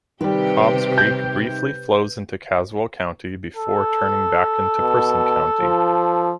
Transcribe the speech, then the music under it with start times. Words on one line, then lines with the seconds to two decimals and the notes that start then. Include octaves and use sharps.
Cobbs Creek briefly flows into Caswell County before turning back into Person County.
0.21 C3 D#3 G3 G4 B4
0.98 G6
3.56 A4
4.80 B2
5.61 F3